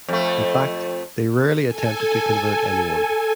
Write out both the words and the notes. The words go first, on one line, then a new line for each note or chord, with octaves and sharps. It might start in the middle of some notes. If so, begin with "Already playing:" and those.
In fact, they rarely attempted to convert anyone.
F2 A3
A4 G#5